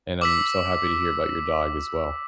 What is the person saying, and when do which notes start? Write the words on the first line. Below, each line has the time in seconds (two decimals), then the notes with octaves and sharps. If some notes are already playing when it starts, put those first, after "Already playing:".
And I'm so happy to hear about your dog as well.
0.21 D6 E6 B6